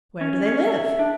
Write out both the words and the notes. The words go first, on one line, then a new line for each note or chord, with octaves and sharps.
"Where do they live?"
C#4
C#4
E5
D4